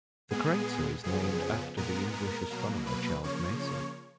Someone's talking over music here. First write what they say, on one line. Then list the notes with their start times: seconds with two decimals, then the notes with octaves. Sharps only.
The crater is named after the English astronomer Charles Mason.
0.30 A#2 G#3 B3 G#4
1.04 F2 C#3 F3 B3 G#4
1.77 A#2 G#3 B3 A#4
2.14 A#4
2.50 B2 F#3 A#3
2.87 B4
3.24 C#3 F3 A#3 C#5
3.59 C#5